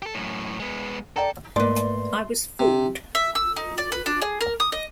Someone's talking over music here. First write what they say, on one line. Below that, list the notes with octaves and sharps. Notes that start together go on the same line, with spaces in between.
I was fooled.
G4 A4
F#2 A2
G#3 B3
A4 D5 G5 A#5
G#2 A3 A#3 B4 D5 C6
C3
E5
E6
D#4
D5
B4
D4
G#4
A#4
D#6
D#5